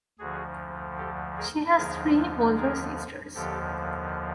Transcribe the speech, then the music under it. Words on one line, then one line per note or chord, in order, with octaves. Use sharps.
She has three older sisters.
D2 D3 F3 F#4 G#4
G4 A4
G#4 A#4
D#2 D3 F3 G#4 A#4
G#4 A#4
D#2 D3 F3 G4 A4